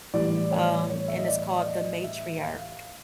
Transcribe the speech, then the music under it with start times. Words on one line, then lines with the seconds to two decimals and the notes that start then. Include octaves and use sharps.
um, and it's called The Matriarch,
0.14 A2 E3 G3 D5
0.51 C#5
0.90 C#5
1.08 E5
1.18 D#5
1.28 D5
1.66 D#5
2.04 E5
2.43 F5